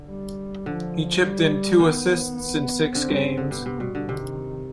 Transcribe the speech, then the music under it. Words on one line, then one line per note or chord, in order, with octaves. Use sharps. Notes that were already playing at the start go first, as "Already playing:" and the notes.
He chipped in two assists in six games.
Already playing: D3
G3
D3 F3
G3
D#3 B3
B3
D3 C4
G2
D3
C3 B3
C3
B2 G3
D3
C3 D#3